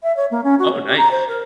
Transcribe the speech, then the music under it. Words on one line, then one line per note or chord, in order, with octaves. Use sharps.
Oh, nice.
E5
C#5
A#3
C#4
F#4
C#5
G4
A#5
C5
A#4